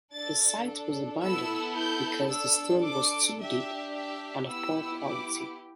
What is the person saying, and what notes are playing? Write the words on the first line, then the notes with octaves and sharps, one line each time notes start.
The site was abandoned because the stone was too deep and of poor quality.
D4 A4 A6
B3 E4 A4 E6
G6
D4 A4 E6
D6
D4 G4 E5
E5
B3 E4 G4 E6
D6